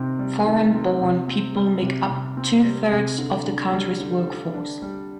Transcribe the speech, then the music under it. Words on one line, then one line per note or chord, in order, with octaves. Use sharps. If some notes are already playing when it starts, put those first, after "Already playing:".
Foreign-born people make up two-thirds of the country's workforce.
Already playing: C3 D#3 C4
G3
D#3
C4
C3
C4
G3
C3
C3
C4
G3
C3
D3
D4
G3
D3
D3
D4
G3